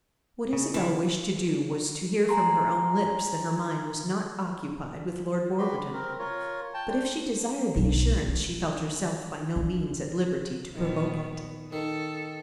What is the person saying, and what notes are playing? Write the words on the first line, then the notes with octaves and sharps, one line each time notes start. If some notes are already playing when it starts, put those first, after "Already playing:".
What Isabel wished to do was to hear from her own lips that her mind was not occupied with Lord Warburton; but if she desired the assurance she felt herself by no means at liberty to provoke it.
C#3
C#3 E3
G#5 A#5 C6
F#4 G4 B4 B5 C6
B5
C4 A#4
F4 A#4 C#5
G5 A5
D4 C5 G5
B1 F#3
C#4
D4
A#2 D#3 B3
D#3 A4